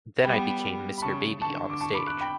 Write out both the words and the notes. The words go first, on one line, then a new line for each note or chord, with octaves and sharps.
Then I became Mr. Baby onstage.
G3 B3 G5 B5
B5
C#3 A5 C#6
D3 A5 C#6
D6
A5 C#6
B5 D6
D6 F#6
G5 B5